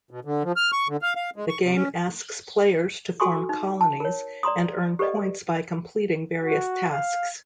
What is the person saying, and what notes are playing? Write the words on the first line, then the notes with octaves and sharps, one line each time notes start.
The game asks players to form colonies and earn points by completing various tasks.
B2
D3
F3
F6
C#6
D3
F5
F5
G#3
C#6
C3
C#4
F#4 A4 G#5 C6 C#6 D#6
D#4
A5
A#4 C#5
D5 A#5 C6 D#6
G4 A4 B4 D5 D#5
F#4
F5